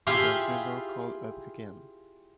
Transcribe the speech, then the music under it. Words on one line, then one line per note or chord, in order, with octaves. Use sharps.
He was never called up again.
E4 F4 G4 G#4 E5 F5